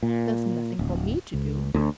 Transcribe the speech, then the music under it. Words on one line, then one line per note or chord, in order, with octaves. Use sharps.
There's nothing for me to do.
A#2
D1
C#2
D2